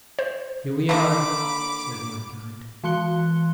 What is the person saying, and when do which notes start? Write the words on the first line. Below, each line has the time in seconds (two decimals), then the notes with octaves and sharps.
"Here we are," said my guide.
0.19 C5
0.89 D3 A#3 E5 B5 D6
2.84 E3 G#3 C6 F#6 C#7 G7